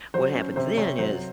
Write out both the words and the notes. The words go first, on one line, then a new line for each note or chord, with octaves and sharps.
What happens then is-
F#3 C5
C#4
C3 C5
C3 C#5
F#3 C5